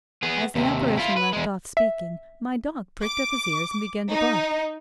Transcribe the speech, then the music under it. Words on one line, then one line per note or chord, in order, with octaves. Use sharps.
'As the apparition left off speaking my dog pricked up his ears and began to bark.
B3 G#4
D#2 C3
E4 F4
B4
E2 G#3
E5
D6
D#4